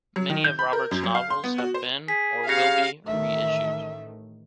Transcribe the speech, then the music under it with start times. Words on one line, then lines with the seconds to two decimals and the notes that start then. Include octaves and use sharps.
Many of Roberts' novels have been, or will be, reissued.
0.16 F#3
0.30 D#3
0.44 G6
0.59 B5
0.73 A#4
0.91 F#2
1.04 F#3
1.15 F5
1.30 C6
1.44 B3
1.58 F#4
1.74 C5
2.08 G#4 B6
2.48 C#3 G4 F5 A#6 C#7
3.07 A1 D#3 A3 E5